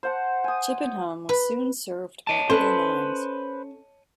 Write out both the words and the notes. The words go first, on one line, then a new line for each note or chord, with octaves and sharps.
Chippenham was soon served by other lines.
C5 F#5 A5
G#5 D#6
B4
C#5 D#5 A5
C#4 A4 B4 C5